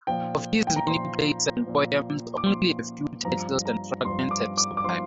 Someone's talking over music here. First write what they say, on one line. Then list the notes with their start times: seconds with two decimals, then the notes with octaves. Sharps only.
Of his many plays and poems only a few titles and fragments have survived.
0.07 A#2 F3 G5
0.67 G5
0.76 A#5
0.87 A#2 F3 C6
1.66 A#2 F3
2.37 D6
2.46 A#2 F3 C6
3.25 G2 F3 A#5
3.65 A#5
4.05 G2 F3 C6
4.31 D6
4.57 D6
4.77 D6
4.84 F3 C6